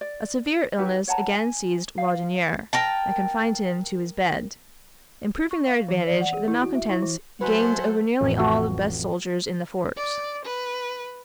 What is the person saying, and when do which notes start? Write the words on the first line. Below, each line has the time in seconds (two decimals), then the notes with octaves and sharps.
A severe illness again seized Laudonniere, and confined him to his bed. Improving their advantage, the malcontents gained over nearly all the best soldiers in the fort.
0.01 D5
0.78 D#4 F#4 G4 B4
1.07 C#5 F#5 A5 A#5
1.34 G#5
1.98 F5
2.73 A#4 G5 A5
5.51 C#6
5.67 F5
5.88 E3
6.07 D5
6.21 F#5
6.33 G#4
6.48 E4
6.62 F#4
6.75 E5
6.89 E4
7.02 E3
7.41 F#3 A4 B4 C5 E5 F#5 G#5 C6
8.21 A1 F2
8.40 F#4
9.97 D5
10.45 B4